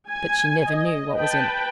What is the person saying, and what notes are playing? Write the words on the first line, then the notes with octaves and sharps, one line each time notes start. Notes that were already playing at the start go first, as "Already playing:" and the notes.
But she never knew what was in it.
G#5
D#5
B4 G5 A5